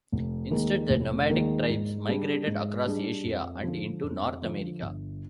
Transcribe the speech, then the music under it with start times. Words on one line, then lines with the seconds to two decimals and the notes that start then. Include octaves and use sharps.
Instead, the nomadic tribes migrated across Asia and into North America.
0.12 F1
0.51 D#2 D#3 G#3
0.90 F1
1.29 D#2 D#3 G#3
1.69 G#2
2.07 G3 D4 G#4
2.47 G#2
2.85 G3 D4 G#4
3.25 F2
3.64 D3 F3
4.03 F2
4.42 D3 F3
4.82 G1